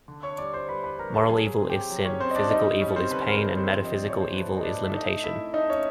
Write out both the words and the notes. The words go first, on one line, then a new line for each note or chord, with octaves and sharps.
Moral evil is sin, physical evil is pain, and metaphysical evil is limitation.
D3
C#5 C#6
G3 D5 D6
C5 C6
G3 B4 B5
B4 B5
G3 A#4 A#5
A4 A5
F#3 G#4 G#5
C4
G4 G5
F#3
C#4 C#5
C4 C5
D#5
D4 D5
G3 D#4 D#5
G3 C#4 C#5
C4 C5
D3 B4
B4
A#4
G3
C4 C5
F3
D#5
D5
A2
C#5
C5
A3 B4
D#5
A3 D4 D5
E5
A3 D#4 D#5
A3 E4 E5
A3 D#4 D#5
C#4 C#5